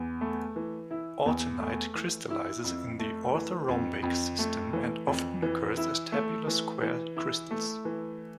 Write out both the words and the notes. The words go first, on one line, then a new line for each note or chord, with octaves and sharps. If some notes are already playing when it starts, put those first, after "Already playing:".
Autunite crystallizes in the orthorhombic system and often occurs as tabular square crystals.
Already playing: E2
A3
E3
E4
E2
A3
E3
E4
F2
A3
E3
F2
F2
A3
E3
F2
E3
E4
A3
E3
E3
E4
A3
E3